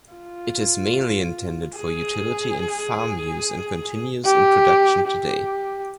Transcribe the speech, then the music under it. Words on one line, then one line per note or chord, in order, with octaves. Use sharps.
It is mainly intended for utility and farm use and continues in production today.
F4
G#4
G4
G4